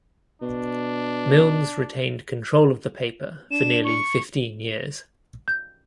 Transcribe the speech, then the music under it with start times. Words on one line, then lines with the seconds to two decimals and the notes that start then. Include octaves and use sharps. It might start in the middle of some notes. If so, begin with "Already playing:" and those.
Milnes retained control of the paper for nearly fifteen years.
0.42 B2 D4
3.51 D4 E7
3.84 C#6
5.48 G6